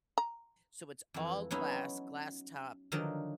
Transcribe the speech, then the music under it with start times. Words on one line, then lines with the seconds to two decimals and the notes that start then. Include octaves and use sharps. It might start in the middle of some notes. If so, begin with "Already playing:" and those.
so, it's all glass, glass top,
0.18 A#5
1.14 F2 E3
1.51 F#3 B3 C#4 D#4 E4
2.92 D3 D#3 F3 F#3 D#4 A#4